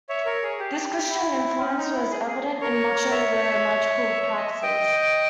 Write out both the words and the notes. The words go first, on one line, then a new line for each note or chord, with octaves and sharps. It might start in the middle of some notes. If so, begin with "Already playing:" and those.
This Christian influence was evident in much of their magical praxes.
C#5 E5
A#4 C#5
G#4
G4
E4
C#4
D#4
E4
G#4
G#4
A#4 C#5
C#5 E5
C#5
D#5
E5
D#5 G5